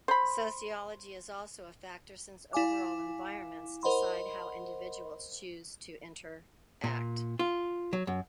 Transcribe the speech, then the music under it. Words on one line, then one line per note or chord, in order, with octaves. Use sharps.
Sociology is also a factor since overall environments decide how individuals choose to interact.
C5 B5
E4 F5 G#5 D6
A#4 C5 D#5 F#5 B5 C6
A#2
F4
F#3
F#2